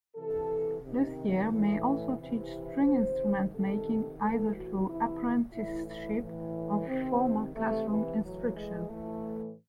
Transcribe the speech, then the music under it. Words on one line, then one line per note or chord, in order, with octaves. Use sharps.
Luthiers may also teach string-instrument making, either through apprenticeship or formal classroom instruction.
C3 E3 A4
C3 D#3
A2 E3
C3 E3
C3 D#3 C5
C3 D#3 A4
A2 E3 A4
F#4
C3 E3 E4
A2 E3 E4
E4
A2 E3
C3 D#3 C4
C3 E3 A3
E3
A2 E3 F#3
G#3
A2 E3 A3